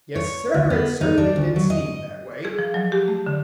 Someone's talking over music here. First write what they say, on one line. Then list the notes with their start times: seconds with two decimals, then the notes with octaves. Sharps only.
Yes, Sir, it certainly did seem that way.
0.15 C#5
0.54 D2
0.70 B3
1.01 D#4
1.18 D4
1.36 D2
1.56 F#3
1.70 D#5
2.45 G#4
2.59 F3
2.74 F#3
2.92 G4
3.08 A3
3.27 D3